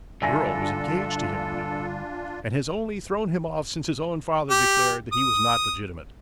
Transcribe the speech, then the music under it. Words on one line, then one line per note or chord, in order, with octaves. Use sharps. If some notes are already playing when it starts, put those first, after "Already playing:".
The girl was engaged to him, you know, and has only thrown him off since his own father declared that he was not legitimate.
G2 D3 D4 F4 A4 E5 G#5 A#6
G4
D#6